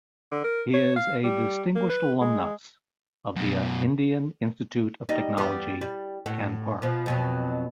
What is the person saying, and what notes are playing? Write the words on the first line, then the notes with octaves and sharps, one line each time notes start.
He is a Distinguished Alumnus of the Indian Institute of Technology, Kanpur.
D3
A#4
C#5
F5
G3
A#3
B4
G#3
F#2 B2
G3 D#4
E2 G3 B3
G3
A2 F#4
B2 F3
F2 B2 F#3